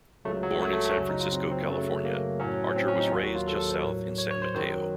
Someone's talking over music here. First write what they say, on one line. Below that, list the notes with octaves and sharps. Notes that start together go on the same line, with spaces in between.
Born in San Francisco, California, Archer was raised just south in San Mateo.
C#2 C#3 F#3 A3
F#3
A3
F#3
A3
A3
F#2 C#3 F#3 C#4
D#4
F4
C4
C4
A#3
F#2 C#3 F#3 A3
A#3
A2 F#3 C#4
C4
C#4
D#4
D#2 D#3 F#3 F4
F#4
F4
A4
A4
C5
A2 F#3 A#4
C#5
C#5
C5
F#2 D#3 F#3 C5